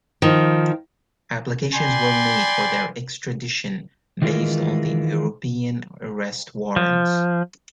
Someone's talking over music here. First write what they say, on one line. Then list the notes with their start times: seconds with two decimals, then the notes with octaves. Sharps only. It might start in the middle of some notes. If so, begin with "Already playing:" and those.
Applications were made for their extradition based on the European Arrest Warrants.
0.22 D#3 F3
1.75 D5 G5 G#5 B5 C6
4.22 D#3 E3 G#3 F4 A#4
6.76 F3